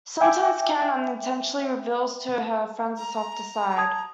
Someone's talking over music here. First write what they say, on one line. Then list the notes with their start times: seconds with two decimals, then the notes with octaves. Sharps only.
Sometimes Karen unintentionally reveals to her friends a softer side.
0.20 E5 G5 G#5 D6
2.96 A#5
3.77 A5 D#6 G#6